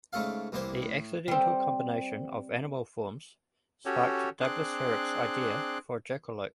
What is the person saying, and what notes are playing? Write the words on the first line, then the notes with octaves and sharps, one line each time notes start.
The accidental combination of animal forms sparked Douglas Herrick's idea for a jackalope.
G#2 C#3 A3 A4 F5
C2 E3 A#3 C5
A2
G3 C4
C#4 F#4 G4 A4 C#5
C4 D4 G#4 C6 D6 F#6